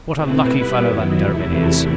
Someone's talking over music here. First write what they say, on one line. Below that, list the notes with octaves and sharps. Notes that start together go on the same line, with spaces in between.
What a lucky fellow that Derebin is!
B2 A3 C4 E4 B4
G3 B3 E4 B4
F#2 D#3 F#3 B3 E4
E2 C3 E3 A3 E4